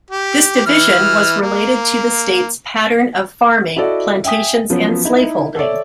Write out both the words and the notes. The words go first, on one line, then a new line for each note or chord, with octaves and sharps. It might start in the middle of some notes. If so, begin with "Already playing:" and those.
This division was related to the state's pattern of farming, plantations and slaveholding.
G4
E3 F6
A#3
E4 F#4 A4 D5 D#5
E5 G5 G#5 D#6 B6
F3 F#3 B3 C#4
D#4 E4
A4 C#5 D5 E5